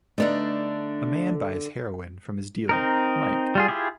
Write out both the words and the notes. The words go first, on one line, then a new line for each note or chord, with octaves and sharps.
A man buys heroin from his dealer, Mike.
D3 A3 B3 D4 D#4
C4 D#4 A#4
G3 F4 G#4
E4 F4 G4 G#4